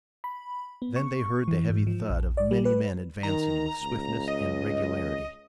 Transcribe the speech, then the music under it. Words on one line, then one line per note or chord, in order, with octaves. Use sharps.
Then they heard the heavy thud of many men advancing with swiftness and regularity.
B5
B3
C#6
E3
G#2
F3
A#1
D5
G3
B4
D#3 A#5
C#2
D#5